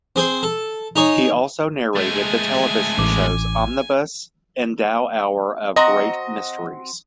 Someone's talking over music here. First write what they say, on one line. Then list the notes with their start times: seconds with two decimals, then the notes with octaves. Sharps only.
He also narrated the television shows "Omnibus" and "Dow Hour of Great Mysteries".
0.16 C4 G#4 C5
0.43 A4
0.96 D#4 G#4 C#5
1.96 G#3 A3 G#5
2.98 A1 D6
5.76 C4 F#4 D#5 A#5